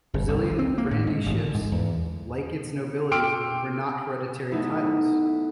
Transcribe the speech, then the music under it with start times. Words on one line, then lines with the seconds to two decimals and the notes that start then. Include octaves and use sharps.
Brazilian grandeeships, like its nobility, were not hereditary titles.
0.14 G1
0.28 C2
0.43 D2
0.59 C4
0.78 A#3
0.91 A2
1.07 G#2
1.26 A1
1.38 D3
1.54 G#2
1.72 E2
3.12 G5 C6 D6 E6 F6 D7
4.52 A3 B3 D#4 E4